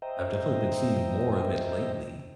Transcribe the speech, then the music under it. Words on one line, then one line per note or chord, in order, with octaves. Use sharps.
I've definitely been seeing more of it lately.
C5 D#5 E5 G5 A#5